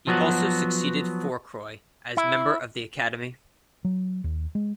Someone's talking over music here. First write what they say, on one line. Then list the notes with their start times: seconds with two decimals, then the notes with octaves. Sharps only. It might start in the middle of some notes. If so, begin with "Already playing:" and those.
He also succeeded Fourcroy as member of the Academy.
0.07 F3 F#3 B3 F#4
2.17 E4
3.85 F#3
4.24 D#2
4.55 G#3